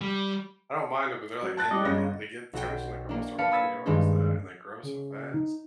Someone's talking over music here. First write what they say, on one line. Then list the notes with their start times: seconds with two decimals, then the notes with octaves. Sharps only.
I don't mind it, but they're, like, in the they get turns in, like, almost our whole yard is that, and they grow so fast
0.01 G3
1.42 F#3
1.57 A5 F#6 A6
1.71 G3 D5 D#5
1.85 G1 C#3 D#5 A#6
2.53 B1 F#4 G5
3.09 A#3 D4
3.38 D4 B4 F5 A5 B5 C#7
3.51 B5 D#6 E6 G#6 A6 B6
3.86 G2 D#3 G#3 A#3 D4 D#4
4.83 C#3
5.34 D#4